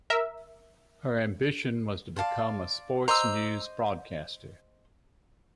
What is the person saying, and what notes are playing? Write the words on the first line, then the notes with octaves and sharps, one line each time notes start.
Her ambition was to become a sports news-broadcaster.
A#4 E5
D5 F5 A5 C6
C5 D#5 A#5 D6 E6